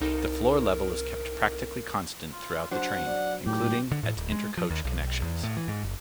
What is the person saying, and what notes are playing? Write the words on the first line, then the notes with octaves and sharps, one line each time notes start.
The floor level is kept practically constant throughout the train, including at inter-coach connections.
C2 D#4 A4 A#4
F4
F#3 D4 C5 F#5
D5
D#2 A2 G4
D3
A2
D1
G#3
F3
D#2
B1
E2
A2
E3
G#2
F#1